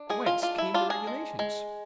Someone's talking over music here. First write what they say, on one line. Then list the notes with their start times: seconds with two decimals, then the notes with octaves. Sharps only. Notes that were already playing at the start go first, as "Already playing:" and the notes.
Whence came the regulations?
Already playing: D4
0.10 G#3 G#4
0.26 F4
0.42 D4 F4
0.58 E4
0.74 D4 F4
0.90 G#4
1.07 G#3
1.39 G#3